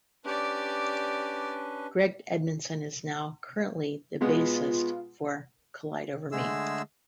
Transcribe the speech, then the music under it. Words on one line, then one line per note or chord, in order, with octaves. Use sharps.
Greg Edmondson is now currently the bassist for Collide Over Me.
C#4 D4 G4 B4 D5
B2 G#3 B3 F4
D3 G#3 A3 G#4 E6